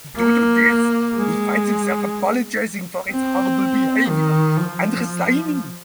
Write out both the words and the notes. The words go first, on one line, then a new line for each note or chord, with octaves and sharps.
Due to this, he finds himself apologizing for his horrible behavior and resigning.
A#3
G#3
C4
D#3
F3